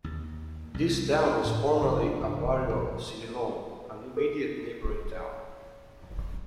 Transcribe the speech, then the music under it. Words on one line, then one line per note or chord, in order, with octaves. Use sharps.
This town was formerly a barrio of Siniloan, an immediate neighboring town.
D#2
C2
D4
A2
F1
D4
D1
A#1
A4
C#5